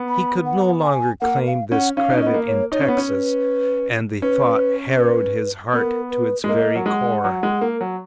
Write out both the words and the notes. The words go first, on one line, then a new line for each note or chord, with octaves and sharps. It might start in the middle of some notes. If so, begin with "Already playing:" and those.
He could no longer claim this credit in Texas; and the thought harrowed his heart to its very core.
Already playing: B3
B5
F#5
G#5
A#3 F#5
F5
C#4 F#5
C#4 F5
D#4
C#4
B3 D#5
A#3
C#5
D#4 C#5
C#4
B3
C#4
B4
C#4 B4
B4
B3 A#4
B4
G#3
A#3 D#5
F#3
G#3 F#5
F#3
G#3
A#3
F#3